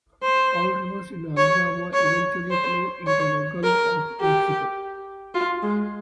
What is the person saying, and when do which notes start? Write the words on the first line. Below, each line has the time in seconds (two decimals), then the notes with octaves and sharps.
All rivers in Alabama eventually flow into the Gulf of Mexico.
0.24 C5
1.37 C#5
1.94 C#5
2.50 C5
3.07 C#5
3.63 A#4
4.21 G4
5.34 F4
5.62 G#3